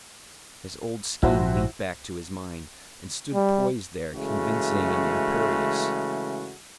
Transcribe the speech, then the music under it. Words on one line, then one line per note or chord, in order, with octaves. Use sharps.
His old scheme leaped back to his mind, and stood poised there convincing and imperious.
A#1 G#2 F3 E4 F#4 C5
G3
C#3 E3 G#3 A3 F#4